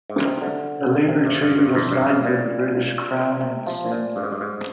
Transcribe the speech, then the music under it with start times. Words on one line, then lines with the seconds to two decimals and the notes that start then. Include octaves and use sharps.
A labour treaty was signed with the British Crown in the same year.
0.10 G#2
0.26 C3
0.42 D3
1.09 C3
1.25 G2
1.42 G2
1.58 G2
1.75 F2
1.92 G2
2.09 G#2
2.25 A#2
3.41 C3
3.67 F3
3.91 A#2
4.16 G2
4.23 G#2
4.32 G2
4.41 G#2